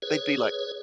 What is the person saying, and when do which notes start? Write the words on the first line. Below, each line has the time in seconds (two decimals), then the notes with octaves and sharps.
They'd be like
0.02 G#4 B4 C#5